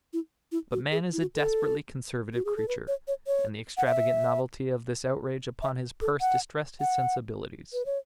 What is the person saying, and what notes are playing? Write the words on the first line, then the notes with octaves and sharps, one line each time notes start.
But man is a desperately conservative creature, and the extravagant novelty of this outrage upon his purse distressed his sensibilities.
E4
E4
F#4
G#4
E4
F#4
A4
F#4
G#4
A4
B4
C#5
C#5
C#5
F#5
E5
E5
A4
F#5
F#5
B4
C#5